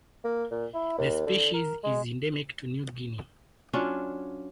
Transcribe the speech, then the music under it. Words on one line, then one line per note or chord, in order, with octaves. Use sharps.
The species is endemic to New Guinea.
A#3
A#2
E4
D#2
D3
A#4
G#3
F#3 C#4 D4 F4